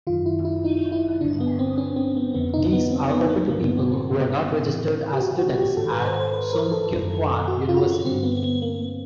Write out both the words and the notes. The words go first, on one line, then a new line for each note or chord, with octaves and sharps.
These are open to people who are not registered as students at Sungkyunkwan University.
F#2 D#3 F4
E4
E4
D#4
E4
G2 D3 D4
B3
C4
C#4
C4
B3
F2 D3 B3
D#4
B3
C4
B3
A#3
G2 D3 A#3
B3
B3
C4
A2 E3
G4
F#4
F#4
G4
G#2 D#3 A4
B4
C5
C5
B4
A#4
A4
F#2 D#3
F#4
F4
F#4
G2 D3 C4
B3
B3
A#3